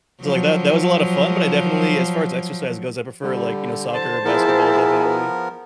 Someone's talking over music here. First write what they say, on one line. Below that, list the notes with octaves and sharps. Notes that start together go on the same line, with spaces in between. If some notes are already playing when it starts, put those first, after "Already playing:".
So, like, that that was a lotta fun, but I definitely as far as exercise goes, I prefer, like, you know, soccer or basketball, definitely.
F3 F#3
D3 G3
C5 A5
F3 B3 E4 G#4 A#4